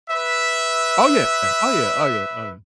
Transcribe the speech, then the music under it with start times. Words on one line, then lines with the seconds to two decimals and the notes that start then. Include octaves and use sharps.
Oh, yeah, yeah. Oh, yeah, oh, yeah, oh, yeah.
0.10 B4 E5